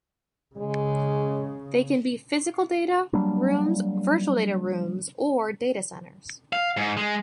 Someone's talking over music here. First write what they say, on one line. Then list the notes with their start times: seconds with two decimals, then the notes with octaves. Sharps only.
They can be physical data rooms, virtual data rooms, or data centers.
0.57 C#3 G#3
3.13 F#3 G3 A#3 D4
6.53 F5
6.77 G#2
6.97 G#3